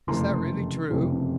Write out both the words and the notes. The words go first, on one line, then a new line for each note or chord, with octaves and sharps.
"Is that really true?"
F#1 F2 C3 E3 A3 A#5 C6
F#1 F2 C3 E3 A3